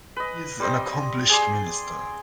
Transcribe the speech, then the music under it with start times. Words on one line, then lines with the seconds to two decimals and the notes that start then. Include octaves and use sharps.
He is an accomplished minister.
0.16 B4 D#5
0.60 G3 C4 D#5
1.29 G#4 D5 C6